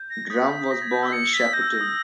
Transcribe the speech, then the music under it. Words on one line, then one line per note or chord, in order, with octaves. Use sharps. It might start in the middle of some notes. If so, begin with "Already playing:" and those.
Drum was born in Shepparton.
Already playing: G6
A#6
D#6 B6
A#6
G#6
G6
E6
C#7
B6
G6 A#6
E6
G6
D#6